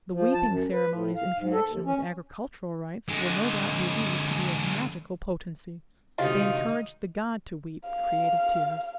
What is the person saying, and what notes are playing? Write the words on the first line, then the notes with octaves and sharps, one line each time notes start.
The weeping ceremonies in connection with agricultural rites were no doubt believed to be of magical potency; they encouraged the god to weep creative tears.
F3
A5
F#2
B4
A2
F5
G#2
A4
D#2
C#4
D3 G#3
D2 C3 D#3 G#3 D#4 F4 D#5 F5
F5